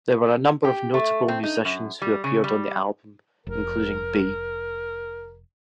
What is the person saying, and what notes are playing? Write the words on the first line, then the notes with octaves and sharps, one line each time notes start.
There were a number of notable musicians who appeared on the album, including B.
G4
A3
C4
D#4
F#2
G3
C#3
G3
F1 A#4